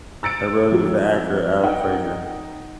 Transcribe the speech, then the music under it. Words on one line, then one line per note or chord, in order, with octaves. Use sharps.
Her brother was the actor Alec Fraser.
E6 A6 C#7 D7
F2 F#3
D#4 F#5 G5